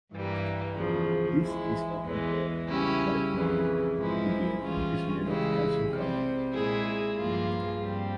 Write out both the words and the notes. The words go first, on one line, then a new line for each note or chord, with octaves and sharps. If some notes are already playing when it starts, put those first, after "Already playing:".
This is often called "white marl"; again, it is made of calcium carbonate.
G2 E3 G3 A#3
E2 C#3 F3
E3 G#3 E4
E2 E3 G#3
C#3 G3 C#4 E4 G4
F2 C#3 E3
G#2 F3 G#3 E4
E3 G3 C#4 F4 G#4
C#3 E3 G#3 E4 G4
C3 G3 C4
A#2 G#3 E4 G#4
G2 F3 A#3 F4 G#4
G2 G3 C4 G4